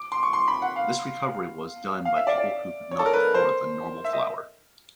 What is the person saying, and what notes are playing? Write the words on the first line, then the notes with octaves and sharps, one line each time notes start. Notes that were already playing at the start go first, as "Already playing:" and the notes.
This recovery was done by people who could not afford the "normal" flour.
Already playing: D6
C6
C#6
C6
B5
F#5
F5
F5
E5
D5
D5
C#5
A4
A#4
B4
C5
E5
D#5